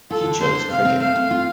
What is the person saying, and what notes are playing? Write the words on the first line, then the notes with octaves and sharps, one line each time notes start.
He chose cricket.
F4 A4
D3
D3 C5
D4
C3 F5
C4
A3 F5
C4
F4